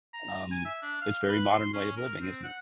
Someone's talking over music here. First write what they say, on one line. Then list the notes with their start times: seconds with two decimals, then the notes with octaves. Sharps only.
Um, it's very modern way of living, isn't it?
0.13 A#5
0.51 G#5
0.65 E5
0.82 D4
1.01 F5
1.29 B4
1.51 C6
1.74 C#4
1.97 A#4
2.22 C4
2.43 F#5